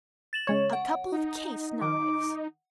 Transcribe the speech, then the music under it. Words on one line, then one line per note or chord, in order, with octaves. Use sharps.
"A couple of case-knives."
A6 E7 F#7
C#3 G#3 C#5
F#5
D#4
D#3 D6